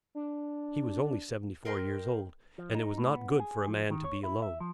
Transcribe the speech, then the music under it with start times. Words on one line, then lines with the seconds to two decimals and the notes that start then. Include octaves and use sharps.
He was only seventy-four years old, and it was not good for a man to be alone.
0.15 D4
1.65 A#4 D#5 G5 C6
2.58 F3
2.75 D#4
2.98 A2
3.14 B3
3.40 G#4
3.68 F3
3.90 D#3
4.04 C#5
4.23 E4
4.42 E5
4.60 F3